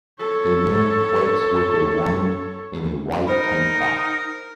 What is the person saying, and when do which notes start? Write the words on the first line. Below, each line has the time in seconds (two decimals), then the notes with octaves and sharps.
A man flirts with a woman in a white tank top.
0.20 A4 C#5
3.27 D#4 A#4 C5 B5